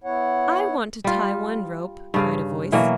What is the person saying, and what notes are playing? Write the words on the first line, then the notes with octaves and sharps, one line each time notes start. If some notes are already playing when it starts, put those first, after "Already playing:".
"I want to tie one rope," cried a voice.
B3 E4 C#5 F#5
G3 F4
G2 C#3 F5
B2 E3 F#3 A#3